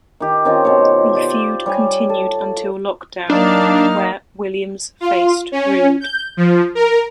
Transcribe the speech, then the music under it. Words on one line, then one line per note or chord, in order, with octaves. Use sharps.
The feud continued until Lockdown, where Williams faced Roode.
D#3 G4
D#3 C4 C#4 F4
B2 C5 C#5
G4 D5 C6
G3 C#5 G#5
A4
F#3 A#3 D4 D#4 F5
F4
C#4
G6
F3
A#4